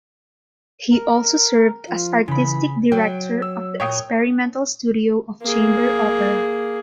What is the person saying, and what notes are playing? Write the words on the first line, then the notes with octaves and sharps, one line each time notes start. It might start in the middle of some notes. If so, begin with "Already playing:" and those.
He also served as artistic director of the Experimental Studio of Chamber Opera.
A#4
F3 F4
C#3 E3 B5
F#3 G5
E6
A#2 C#5 G5 D#6
A#3 G#4